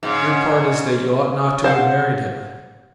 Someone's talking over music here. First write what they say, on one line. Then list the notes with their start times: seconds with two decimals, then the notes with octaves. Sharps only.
Your part is that you ought not to have married him.
0.03 G#2 C#3
1.64 C5 F5 F#5